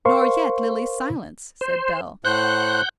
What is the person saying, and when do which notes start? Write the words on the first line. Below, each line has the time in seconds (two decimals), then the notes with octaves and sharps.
"Nor yet Lily's silence," said Bell.
0.05 A#4 C5 F5 C6 C#6
1.61 C5
2.25 A2 C5 F#5 F#6 G6